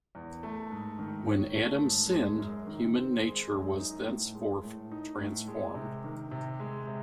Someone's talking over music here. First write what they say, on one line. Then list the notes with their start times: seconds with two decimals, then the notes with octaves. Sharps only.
When Adam sinned, human nature was thenceforth transformed.
0.15 E2
0.43 A3
0.70 G#2
0.99 D#3
1.26 C#4
1.55 A3
1.83 G#2
2.11 G#3
2.38 F#2
2.67 D#3
2.95 C4
3.23 G#3
3.51 F#2
3.80 D#4
4.08 A2
4.35 G#3
4.63 A2
4.92 D#4
5.19 A2
5.47 G#3
5.75 C3
6.04 D#3
6.31 C3
6.60 G#3
6.87 C3